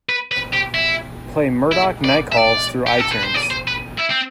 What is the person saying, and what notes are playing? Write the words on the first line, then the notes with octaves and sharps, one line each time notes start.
Play Murdoc Nicalls through Itunes.
B4
B4
G4
E4
E4
D5
E5
D5
G4
A4
B4
C5
D5
C5
B4
E4
C4